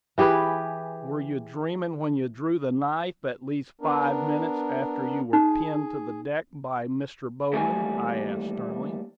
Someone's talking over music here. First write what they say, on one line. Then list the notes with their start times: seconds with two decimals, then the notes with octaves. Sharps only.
"Were you dreaming when you drew the knife, at least five minutes after you were pinned to the deck by Mr. Bowman?" I asked, sternly.
0.18 E3 G4 G#4 B4
3.81 B3 D4 A#4
5.33 D#4 G#4
7.53 D#2 E3 G3 A3 G#5